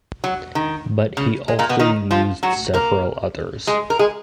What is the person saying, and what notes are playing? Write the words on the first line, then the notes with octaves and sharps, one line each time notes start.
But he also used several others.
F#3
D#3
C#3
G#3
A#2 A#3
B2 B3
D#3 D#4
F3 F4
F#3 F#4
A#3 A#4
G#3 G#4
A#4
G#3 G#4